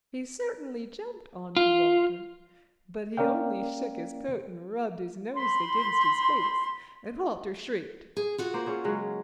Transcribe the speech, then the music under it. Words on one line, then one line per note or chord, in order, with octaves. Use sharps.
He certainly jumped on to Walter, but he only shook his coat and rubbed his nose against his face; and Walter shrieked.
F4
A#3 C#4 A#4 D5 F5 G5
B5 C6
G#4
F4 F#4 F#5
A#3 C5
C#4 G#4 C5
C#3 F#3 G#3